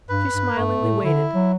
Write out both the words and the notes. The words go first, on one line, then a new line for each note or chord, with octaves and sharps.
She smilingly waited.
G2 B4
G2
G2 A3
A2
D3 E4
F#3